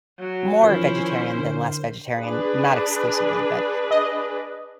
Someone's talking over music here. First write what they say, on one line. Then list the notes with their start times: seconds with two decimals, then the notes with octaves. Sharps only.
more vegetarian than less vegetarian- not exclusively- but
0.19 F#3
0.63 D#3 F3 C#4 E4 A#4 C5
1.38 D3
2.16 D4 G#4 B4
3.91 D#5